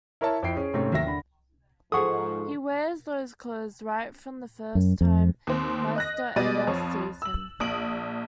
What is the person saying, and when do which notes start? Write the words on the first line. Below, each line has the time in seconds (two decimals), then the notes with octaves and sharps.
He wears those clothes right from the first time Meister Eder sees him.
0.21 E4 A#4 C#5 E5 A5
0.43 F2 E4 G5 C7 D7
0.57 C#4 G#4
0.73 G#2 C3 A3 C4 C#4
0.92 D#2 F#3 E5 A#6
1.07 D3 B5
1.92 G#2 F3 G#4 A4 F#5 C#6 D#6
4.75 F#2
5.01 F2
5.47 D#2 C4
5.96 D#5 F#6 A#6
6.36 B2 G3 D5 D#5 A6 D#7
6.67 F2 F3 C#5
7.22 E6 F#7
7.60 A#1 D#6 D7 F#7